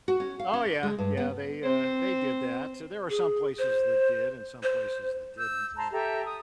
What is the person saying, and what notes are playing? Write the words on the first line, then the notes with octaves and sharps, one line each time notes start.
Oh, yeah, yeah, they, uh, they did that, there were some places that did, and some places that didn't. Uh,
F#4
C#4
F5
C#4
D5
G#3
G2
B3
C4 C5
G#4
C5
C5
E6 G6
A5 A#5 C6
G4 A4 E5 A#5
D#6